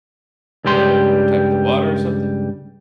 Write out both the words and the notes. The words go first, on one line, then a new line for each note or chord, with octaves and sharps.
the type of the water or something.
C#2 G2 G3 G4 C6